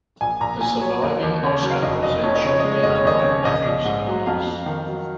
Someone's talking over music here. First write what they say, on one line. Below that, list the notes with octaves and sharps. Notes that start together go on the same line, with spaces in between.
The surviving Oscar was then shot down by "Laffey"s gunners.
A#1 G#5
A#1 A#5
A#2 G#5
F#3 C#5
D#2 D#5
D#2
C#3 C#5
F#3
F5
F1 D#5
F1 D#5
F2 C#5
D#5
C#3 C#5
G#3 D#5
C#5
F1 D#5
C#5
D#2 D#5
C#5
C#3
A#1 D#5
A#1
G#2
F#3
F2 F5
F2
D#3
F#3